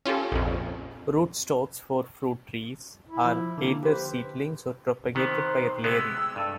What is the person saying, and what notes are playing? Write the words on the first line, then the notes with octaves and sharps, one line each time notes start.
Rootstocks for fruit trees are either seedlings or propagated by layering.
C#4 F4 G4 A4
A#1 F2
E4
F3
D3 A#3
G4 B4 C5
C3 D#3 B3 C5
C3 G#3 B3 E6
G2 A4